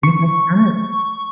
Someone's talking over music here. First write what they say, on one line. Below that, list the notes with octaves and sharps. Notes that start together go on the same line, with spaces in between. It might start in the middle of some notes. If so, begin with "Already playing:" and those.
be just kin
C#6